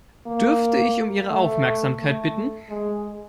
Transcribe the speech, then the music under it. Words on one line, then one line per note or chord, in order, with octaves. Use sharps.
Dürfte ich um Ihre Aufmerksamkeit bitten?
A#3
A3
A3
G#3